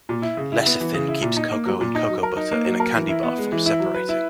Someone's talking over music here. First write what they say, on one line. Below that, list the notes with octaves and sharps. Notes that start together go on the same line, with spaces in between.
Lecithin keeps cocoa and cocoa butter in a candy bar from separating.
A#2
E4
C#3
E4
B3
E3
C#3
E4
A#2
D#4
A#3
F#3
A#2
D#4
F#3
A#4
D#4
A#3
F#3
A#4
E3
E4
B3
G#3
E3
E4
F#3
B4
E4